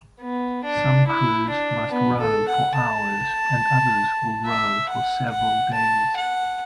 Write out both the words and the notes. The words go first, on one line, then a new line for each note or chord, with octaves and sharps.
Some crews must row for hours, and others will row for several days.
B3
D4
E4
D4
B3
A4
F#5
A5
E5
F#5
F#5
A5
F#5